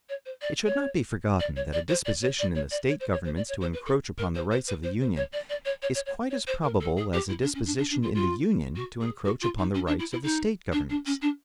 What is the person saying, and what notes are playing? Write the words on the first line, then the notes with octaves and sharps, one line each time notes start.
It should not be forgotten that a disposition in the State governments to encroach upon the rights of the Union is quite as probable as a disposition in the Union to encroach upon the rights of the State governments.
C#5
C5
D5
C#5
D5
C#5
D5
C5
D5
C#5
D5
C#5
D5
C#5
C5
C#5
C5
D5
C#5
C5
B4
A4
A#4
C5
C5
B4
C5
C5
C#5
D5
D5
C#5
C#5
C#5
C#5
C#5
C5
A#4
A4
G#4
G4
E4
D4
C#4
D4
D4
D4
F4
F4
F#4
G#4
F#4
F4
D#4
C#4
D4
E4
E4
D#4
D4
D4
C#4
D4